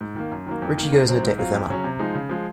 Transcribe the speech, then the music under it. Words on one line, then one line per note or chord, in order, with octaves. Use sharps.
Richie goes on a date with Emma.
G#2
D#3 A#3
F#2
D#3 F#3 A#3
F2
D#3 A#3
C#2
C3 F#3 C4
G#2
F#3 C4 F4
F2
C#3 F#3 C#4
C3
F3 G#3 D#4
C#3
F3 G#3